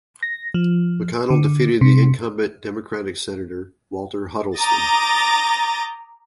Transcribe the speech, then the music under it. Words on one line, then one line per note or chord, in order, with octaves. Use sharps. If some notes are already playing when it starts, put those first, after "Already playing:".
McConnell defeated the incumbent Democratic senator, Walter Huddleston.
A#6
F3
D3
C3
A#5 D6 D#6 G6 A6 A#6